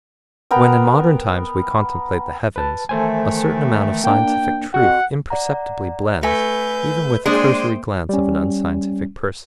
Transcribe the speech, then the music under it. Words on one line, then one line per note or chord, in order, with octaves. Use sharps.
When in modern times we contemplate the heavens, a certain amount of scientific truth imperceptibly blends, even with the cursory glance of an unscientific person.
B3 A#4 G5
B4 A5
D#3 E3 A3 A4 C5 G#5
A#3 D4 G5
F2 F#4 F#5
D5 F#5 A#5
A3 B4 G#5 G6 A#6
G#3 A#3 D4 G#4 C5 G5
G3 C#4